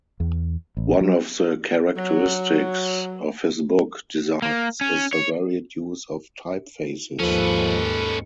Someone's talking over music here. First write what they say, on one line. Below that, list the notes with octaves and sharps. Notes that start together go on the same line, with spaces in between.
One of the characteristics of his book designs is the varied use of typefaces.
E2
A1
F#3
F#3
A#3
C#4
C#5
D#2 G#2 F3 C#4 A4 B4